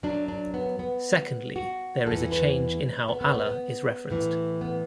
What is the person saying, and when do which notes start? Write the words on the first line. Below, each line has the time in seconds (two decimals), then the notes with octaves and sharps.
Secondly, there is a change in how Allah is referenced.
0.03 F#2 F#3 D4
0.28 D4
0.54 B3
0.79 B3
1.56 F#4
2.06 E2 E3 A4
2.32 B4
3.08 B3
3.21 B3
3.34 B3
3.47 B3
4.10 A2 E3
4.61 B3